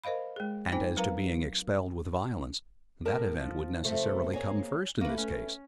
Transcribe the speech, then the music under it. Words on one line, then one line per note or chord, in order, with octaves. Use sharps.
And as to being expelled with violence, that event would necessarily come first in this case.
A#4 C5 D#5 F5 B5
G#3 G#4
C4 D#4 C5 G5 G#5
F#3 A#4 B4 F5 A#5
A2 A#4 A5
F3
C3 A3 C4
G#3 A#3 C#5 G#5
A3 A#3 B4
C#4